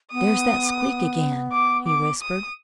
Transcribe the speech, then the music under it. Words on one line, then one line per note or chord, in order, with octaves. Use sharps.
"There's that squeak again!" he whispered.
B3 D#6
D6
D6
D#6